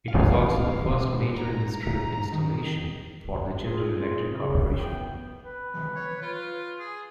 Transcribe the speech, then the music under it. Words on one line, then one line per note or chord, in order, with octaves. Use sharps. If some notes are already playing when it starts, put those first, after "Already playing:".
It was also the first major industrial installation for the General Electric corporation.
F5
B2
A#5
D#3
C4 F4 G#4
C#3
E3 B3 G5
B4
C#5
F4
G#4